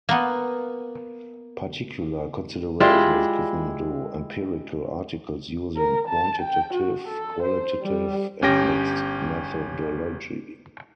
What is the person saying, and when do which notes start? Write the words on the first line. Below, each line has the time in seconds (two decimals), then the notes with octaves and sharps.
Particular consideration is given to empirical articles using quantitative, qualitative, and mixed methodology.
0.09 A#3 B3
2.80 G#3 E4 F4 G4 D5
5.76 A#4
6.08 A5
6.42 G5
6.74 F#4
7.08 A4
7.43 C5
7.83 G3
8.42 G1 C#4 G4 G5 A#6